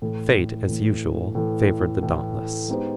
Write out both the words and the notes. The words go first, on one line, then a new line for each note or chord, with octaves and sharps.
Fate, as usual, favoured the dauntless.
A2 E3 A3
A2 E3 A3
A2 E3 A3
A2 E3 A3
G#3 B3 D#4 G4 C5